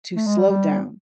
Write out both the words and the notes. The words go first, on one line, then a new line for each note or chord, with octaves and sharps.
to slow down,
A3
G#3
G3
G3